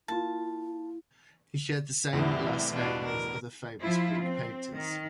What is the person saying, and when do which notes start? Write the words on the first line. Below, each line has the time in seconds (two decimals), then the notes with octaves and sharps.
He shared the same last name with other famous Greek painters.
0.08 A#3 E4 F4 A5
2.13 E2 A2 C3 E3 G3
2.73 B2 D4 F4
3.05 A#4
3.81 F3 E4 F4
4.22 C4
4.73 D#3